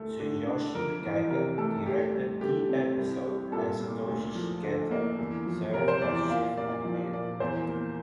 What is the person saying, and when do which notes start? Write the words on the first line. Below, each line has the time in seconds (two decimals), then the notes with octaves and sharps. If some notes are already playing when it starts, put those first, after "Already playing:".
Tsuyoshi Kaga directed the episode and Satoshi Shigeta served as chief animator.
Already playing: D2 A3
0.20 D3
0.47 D4
0.75 F2 A#4
1.02 E3
1.30 C3 A#4
1.58 A3 A4
1.86 D2 G4
2.14 G3
2.41 D3 G4
2.69 C4
2.97 C2
3.24 G3
3.52 A#2 A4
3.80 A#3
4.08 D2
4.35 F3
4.63 D3
4.91 A#3
5.19 E2
5.46 F3
5.74 C3 A#4
5.88 C5
6.02 E2 D5
6.16 D5
6.30 A#2 F5
6.57 A#3 D5
6.85 F3
7.12 A#2 D5
7.40 E2 C5
7.68 A#3